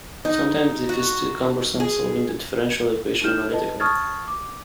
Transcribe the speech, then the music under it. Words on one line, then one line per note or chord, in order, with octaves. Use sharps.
Sometimes it is too cumbersome solving the differential equation analytically.
D#4
F#4
G#4
D#4 E4 G4 F6 G6 E7
B4 D#5 A5
A5 C#6 D#6 F6 G#6 A6
D6